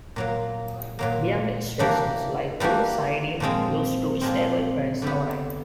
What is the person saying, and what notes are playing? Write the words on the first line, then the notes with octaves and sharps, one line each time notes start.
Beyond the station lie two sidings used to stable trains overnight.
A#2 F#3 A#3
A#2 F#3 A#3
E3 G3 A#3 D4 F#4
E3 G3 A#3 D4 F#4
A#2 F3 G#3 C4
A#2 F3 G#3 C4
D3 G3 B3